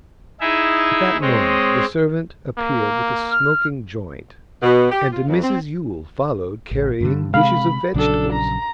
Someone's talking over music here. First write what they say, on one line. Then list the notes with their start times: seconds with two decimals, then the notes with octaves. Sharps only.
At that moment the servant appeared with a smoking joint, and Mrs Yule followed carrying dishes of vegetables.
0.40 D#4 E4 G#4 E5
1.21 G#3 C4 C#5 D#5
2.58 A#3
3.31 F6
4.62 B2
4.91 G4
5.11 F4
5.28 F2
5.43 C4
6.71 A1
7.01 G2 D3 G3
7.34 C3 G#3 F5 B5
7.94 A#1 C#3 F#3 D4 A4
8.33 A#5